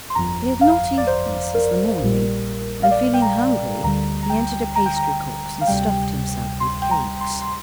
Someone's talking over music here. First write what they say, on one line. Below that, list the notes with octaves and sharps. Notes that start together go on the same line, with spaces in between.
He had not eaten since the morning, and feeling hungry he entered a pastrycook's and stuffed himself with cakes.
C6
G1 F2 F3 A#5
F5
D5
C5
A#4
A#1 A#2 G3
F5
D5
G5
A#5
D2 D3 G3 A#5
A#5
G5
A#5
G5
A#5
F5
D2 C3 G3 G5
C6
G5
A#5
C6
C6